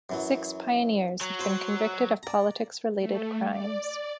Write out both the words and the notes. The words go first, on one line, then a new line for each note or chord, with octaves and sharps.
Six Pioneers have been convicted of politics-related crimes.
F#2 E3 F#3
F#3
F#4 C5
D5 A#5
A3
D5
D5